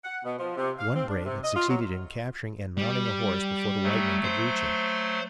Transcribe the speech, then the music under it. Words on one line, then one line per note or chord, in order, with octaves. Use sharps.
One brave had succeeded in capturing and mounting a horse before the white men could reach him.
F#5
B2
F3
C3
F5
C4
D4
C3
D#5
F4
F#3
G3
F#3 A3
C5